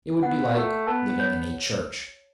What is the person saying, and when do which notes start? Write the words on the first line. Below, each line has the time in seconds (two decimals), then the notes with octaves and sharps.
It would be like living in a church.
0.23 B3 F#5
0.55 A3 G4
0.87 B3 A5
1.19 C#5